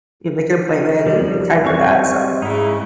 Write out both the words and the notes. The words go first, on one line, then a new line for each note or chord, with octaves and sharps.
you make an appointment and make time for that. So
F3 G3
G3 C4 C#6
G#2 C#3 D#4 E4